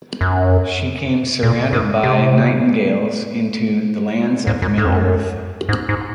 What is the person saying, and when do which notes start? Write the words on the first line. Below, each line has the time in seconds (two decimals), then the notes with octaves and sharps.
She came surrounded by nightingales into the lands of Middle-earth.
0.21 F#2
1.43 A#2
1.73 G#2
2.04 C3
4.47 G#2
4.62 F#2
4.78 G#2
4.85 F2
4.93 F#2
5.69 G#2
5.89 G#2